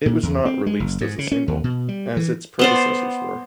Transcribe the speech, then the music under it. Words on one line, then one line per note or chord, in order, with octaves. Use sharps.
It was not released as a single, as its predecessors were.
A#2
E2
C4
G#3
F#1
G#2
C#3
C#4
D#2
B2
G3
E3
B3 C5 D5